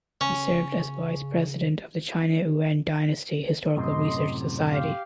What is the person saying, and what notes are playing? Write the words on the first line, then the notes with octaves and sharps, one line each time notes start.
He served as Vice President of the China Yuan Dynasty Historical Research Society.
C#3 C#4
F#2 A2 C3 D#5 C6
G4 F5